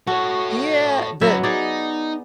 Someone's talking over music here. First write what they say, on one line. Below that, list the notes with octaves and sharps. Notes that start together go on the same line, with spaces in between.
Yeah, the
F#4 A4 C#5
F#2 F#3 B3 E4 E5
D#4 G#4 D5